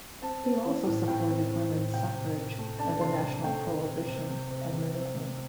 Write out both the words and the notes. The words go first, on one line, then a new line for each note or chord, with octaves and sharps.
He also supported women's suffrage and a national prohibition amendment.
C4 A5
C4
E3
A2
A2 G5
C4
C4
A2
C3 G5
C3
C3
A3
D4 A5
C3 C6
C3 A5
A3 G5
C3
C3
C3
C3
C3
C3
C4
C3